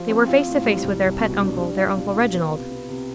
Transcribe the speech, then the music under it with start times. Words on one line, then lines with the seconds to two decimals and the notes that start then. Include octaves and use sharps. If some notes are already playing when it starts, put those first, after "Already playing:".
They were face to face with their pet uncle--their Uncle Reginald.
Already playing: F3
0.09 C4
0.28 F4
0.47 A2
0.65 G3
0.84 C2
1.03 C2
1.21 B2
1.40 D4
1.58 G3
1.77 F4
1.96 B2
2.14 F4
2.33 B3
2.52 C3
2.71 B3
2.88 C3